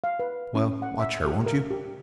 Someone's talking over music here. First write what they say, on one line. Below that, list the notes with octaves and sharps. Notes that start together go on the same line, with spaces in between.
Well, watch her, won't you?...
F5
B4
C#4
F#5
E5
G4
A#4
G4